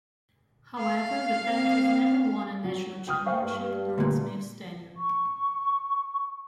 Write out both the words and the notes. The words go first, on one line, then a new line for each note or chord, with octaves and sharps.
However, the Panthers never won a national championship during Smith's tenure.
F5
C4
F#3
G5 D#6 F6
C5 F5 G5 C#6
G2
D2 A#2
C#6